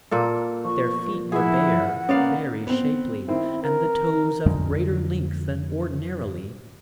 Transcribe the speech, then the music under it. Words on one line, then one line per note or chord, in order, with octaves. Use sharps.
Their feet were bare, very shapely, and the toes of greater length than ordinarily.
A#2 A#3 A4
F3 C#6
E4 G#4 E5 F#5
A#3 B3 C#4 D5 F5
B3 C4
D#3 C4 E4
A#4
F2 D3 G#3 D4